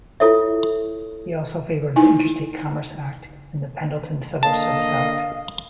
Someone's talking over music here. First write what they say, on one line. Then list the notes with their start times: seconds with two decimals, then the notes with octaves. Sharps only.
He also favored the Interstate Commerce Act and the Pendleton Civil Service Act.
0.20 E4 F4 A4 C#5 E5
1.96 D#4 E4 G#5
4.43 D3 A#3 D#5 F5 A5